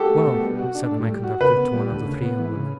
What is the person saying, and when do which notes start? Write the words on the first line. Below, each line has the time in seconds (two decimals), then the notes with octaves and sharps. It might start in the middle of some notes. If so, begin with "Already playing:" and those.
'Well,' said my conductor to one of the three young women.
Already playing: F#4 G4 A4
0.10 A3
0.26 B2
0.43 G3
0.59 F#4
0.75 D4
0.91 A2
1.08 G3
1.24 F#4
1.41 C#3 B4
1.57 B3
1.74 G3
1.90 D2
2.06 C#3
2.22 B3
2.39 E3
2.55 C#3